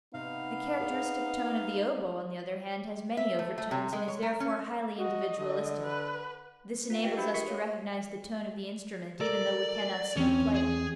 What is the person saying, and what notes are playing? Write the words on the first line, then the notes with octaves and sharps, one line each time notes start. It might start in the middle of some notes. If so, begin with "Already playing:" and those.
The characteristic tone of the oboe on the other hand has many overtones and is therefore highly individualistic: this enables us to recognize the tone of the instrument even though we cannot see the player.
C3 B3 D#4 F5
G#4 B4
E5
A3
A3
C3
G#3
C#5
A#4
C#4
F#4 D#5
D3
B4
F4 B4 F5
F4 G4 G#4 B4 D#5 G5
D4 F#4 G4 C5 E5 B5
A#4 C#6 B6 C#7
C#5 F5
A4 A#4 D5
E2 C4 C#4
G#4